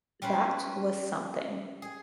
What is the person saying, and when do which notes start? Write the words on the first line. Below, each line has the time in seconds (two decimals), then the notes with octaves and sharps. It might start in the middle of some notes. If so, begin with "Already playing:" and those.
That was something.
0.22 G3 C#4 B4 C5
1.82 G#4